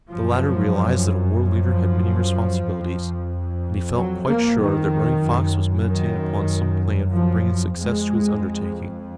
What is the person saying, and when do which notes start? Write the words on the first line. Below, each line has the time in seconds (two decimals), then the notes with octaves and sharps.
The latter realized that a war-leader had many responsibilities, and he felt quite sure that Running Fox was meditating upon some plan for bringing success to his undertaking.
0.10 F#2 F3
1.38 F3
2.66 F2
3.94 F#3
4.26 A#3
4.58 D#3
5.21 F#2
5.86 D#3
7.12 F3
7.77 F2 G#3